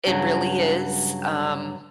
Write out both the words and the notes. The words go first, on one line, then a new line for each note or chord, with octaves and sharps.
it really is, um,
G2 C#3 F#3